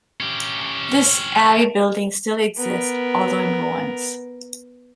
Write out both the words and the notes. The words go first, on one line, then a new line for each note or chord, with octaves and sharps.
This abbey building still exists, although in ruins.
C#4 G4
B3 A#4